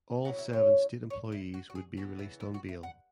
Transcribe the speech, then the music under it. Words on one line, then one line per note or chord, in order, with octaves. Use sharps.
All seven state employees would be released on bail.
C#3 F#3 C#4 E4 F#5
E5
C#5
C#5
E4
F#4
F#4
G#4
C#3 E3 B3 F#4
E4
E4
F#4
E5
F#5